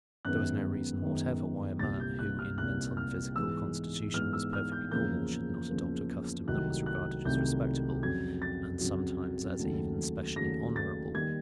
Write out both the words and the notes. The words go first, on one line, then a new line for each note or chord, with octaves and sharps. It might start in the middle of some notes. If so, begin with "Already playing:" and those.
There was no reason whatever why a man, who in mental and physical constitution was perfectly normal, should not adopt a custom that was regarded as respectable, and sometimes as even specially honorable.
F#2 D#3 G#3 B3 F#6
F#2 D#3 G#3 B3
C2 A#2 G3 A6
G6
F#6
F6
C2 A#2 G3 F#6
F6
G#2 E3 G#3 B3 E6
G#2 E3 G#3 B3 F6
E6
F6
G6
E2 C#3 F3 A#3 G6
E2 C#3 F3 A#3
C2 C3 D#3 F#3 A3 F#6
F#6
C2 C3 D#3 F#3 A3 G6
F2 C#3 F#3 G#6
A6
F2 C#3 F#3
D#2 C#3 F#3 A3
D#2 C#3 F#3 A3 A#6
A6
D#3 G3 A#3 G#6